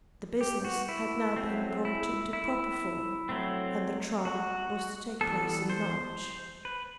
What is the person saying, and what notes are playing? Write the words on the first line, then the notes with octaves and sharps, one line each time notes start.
The business had now been brought into proper form, and the trial was to take place in March.
G4
F#4
E4
F#3 A3 C4
E4
E4
F#3 A3 C4
F#4
E3 G3 B3 A4
C5
B4